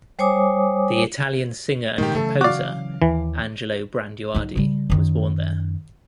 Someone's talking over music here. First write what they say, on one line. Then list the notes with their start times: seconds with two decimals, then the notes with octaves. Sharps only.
The Italian singer and composer Angelo Branduardi was born there.
0.19 G3 C5 C#5 G#5 D6 D#6
1.98 A#2 D#3 G#3 A3 G4
2.15 C#3 E3 F#3 A3 A4
2.41 F#4 D5 F5 D6
3.02 D#2 E3
4.35 F#3 D#4
4.55 C#3 G3
4.90 F#2 D#3